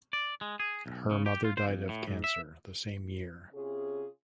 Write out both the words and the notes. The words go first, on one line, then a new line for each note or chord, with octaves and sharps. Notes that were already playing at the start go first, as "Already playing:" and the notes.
Her mother died of cancer the same year.
D5
G#3
G#4
B1
C#3
G4
F4
C5
F2
A2
G#2
E5
C3 C#4 F4 G#4